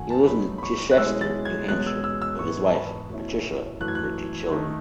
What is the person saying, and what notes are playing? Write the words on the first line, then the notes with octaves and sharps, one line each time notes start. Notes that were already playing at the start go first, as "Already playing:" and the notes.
He lives in Chichester, New Hampshire with his wife, Patricia, and their two children.
Already playing: F#2 D#3 A3 F#5 G#5
A5
B2 F#3 A3 D#4 B5
B5
C#6
F#6
B2 G#3 C#4 E4 E6
A6
G#6
E2 B2 G#3 C#4 F#6
E6
E6
E6
G#2 E3 B3 E4 C#6
A5
B5
B2 A3 C#4 E4
F#2 E3 A3 F#6
G#6
F#6
D#3 A3 D#4